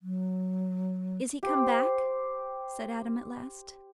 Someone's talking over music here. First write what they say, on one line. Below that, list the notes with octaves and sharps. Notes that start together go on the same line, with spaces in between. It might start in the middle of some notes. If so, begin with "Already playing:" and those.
"Is he come back?" said Adam at last.
F#3
G4 C5